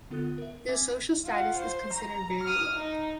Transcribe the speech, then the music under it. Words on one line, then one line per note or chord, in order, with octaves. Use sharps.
Their social status is considered very low.
D3 B3 F4 A4 D#6 F#6
A#4 E5
C4 E5 G#5 D6 G#6 B6
F4 F#5
C5
A#5
D#6 F6
D#4